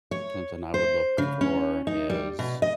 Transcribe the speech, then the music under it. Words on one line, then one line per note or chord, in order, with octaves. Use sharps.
something I would look for is
C#5
C5
C#3
C#4
D#4
G3
B2
D#5